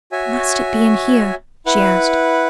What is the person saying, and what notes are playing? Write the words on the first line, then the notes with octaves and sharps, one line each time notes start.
"Must it be in here?" she asked.
F#4 C#5 E5 G#5
E4 B4 F#5